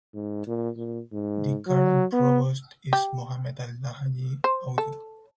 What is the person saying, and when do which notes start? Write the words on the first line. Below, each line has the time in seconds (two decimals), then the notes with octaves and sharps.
The current Provost is Mohammed Alhaji Audu.
0.14 G#2
0.47 A#2
0.77 A#2
1.12 G#2
1.67 F#3
2.13 B3
2.93 G4
4.44 C5
4.78 A4